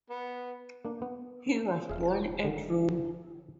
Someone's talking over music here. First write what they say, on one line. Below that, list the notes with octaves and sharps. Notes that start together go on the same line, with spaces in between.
He was born at Rome.
B3
A#3 D4
B3
E1 G#4 E5 F5
D3 D#3